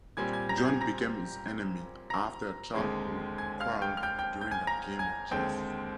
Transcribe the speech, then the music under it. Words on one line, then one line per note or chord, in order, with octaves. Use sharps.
John became his enemy after a childhood quarrel during a game of chess.
A#2 G3 C4 G#5 G#6
G#5 G#6
A#5 A#6
G6
G#5 G#6
A#5 A#6
A#5 A#6
D#2 D3 G#3 C4
G#5 G#6
F5 F6
G5 G6
F6
G5 G6
G5 G6
G6
G#5 G#6
A#5 A#6
G#5 G#6
D#2 D3 G#3 C4 G5 G6